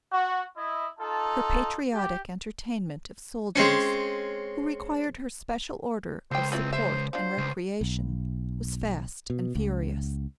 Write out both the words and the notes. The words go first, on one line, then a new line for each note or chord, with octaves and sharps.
Her patriotic entertainment of soldiers who required her special order of support and recreation was fast and furious.
F#4
E4 D#5
D#4 F4 A4 A5
G4
G#3 C4 C#4
C#2 A4 C5 G5
C4 E4 F4 B4
C5 E5
F3 D4 C5
C#2
B1
B2
C#2